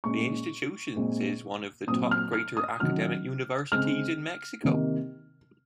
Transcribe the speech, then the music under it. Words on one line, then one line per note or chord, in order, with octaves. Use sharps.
The institution is one of the top greater academic universities in Mexico.
A#2 G#3 C#4 C#6
A#2 G#3 C4
A#2 F#3 C4 D#6
F6
F6
D#6
D#3 F#3 C#4 F6
C#3 G#3 C4 F6
C3 D#3 A#3